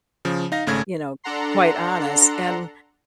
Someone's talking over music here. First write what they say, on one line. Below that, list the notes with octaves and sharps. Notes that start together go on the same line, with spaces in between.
you know, quite honest and
C#3 F3
D#4 F5 A#6
G#1 C#3 A3 G#6
D4 A4 F#5 A#5 C6